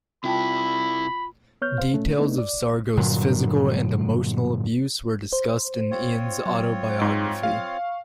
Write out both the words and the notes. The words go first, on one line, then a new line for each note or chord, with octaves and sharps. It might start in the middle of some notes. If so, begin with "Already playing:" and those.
Details of Sargo's physical and emotional abuse were discussed in Ian's autobiography.
C3 E4 F4 G5 A5 B5
B3 C#5 F6 G6
C5 F5
A#2 A3 C#4
A3 B3 D4 D#4
D5
G2 A#2 D3 F#3
C5
C4 F4 C#5
F#3
G#2
F5
C#6